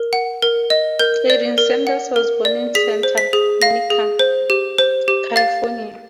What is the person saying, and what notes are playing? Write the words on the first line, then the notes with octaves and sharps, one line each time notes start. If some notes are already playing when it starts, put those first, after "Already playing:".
Erin Sanders was born in Santa Monica, California.
Already playing: A#4
F#5
A#4
D#5
A#4 G6
D5
A#4
F#5
A#4
D5
G#4 B6
C5
B6
G#4
F5 A#6
G#4
C5
G4
C5
G4
F5 A6